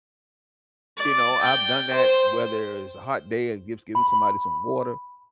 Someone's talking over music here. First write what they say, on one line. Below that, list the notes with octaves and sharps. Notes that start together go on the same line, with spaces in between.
you know, I've done that, whether it's a hot day or just giving somebody some water
D5
G5
C5
B5